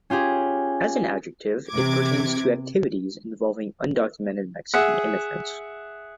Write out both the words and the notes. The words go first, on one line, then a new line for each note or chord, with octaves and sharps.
As an adjective, it pertains to activities involving undocumented Mexican immigrants.
C#4 F4 G4 G#4
C3 E3 D6 G#6
G#4 E5 F#5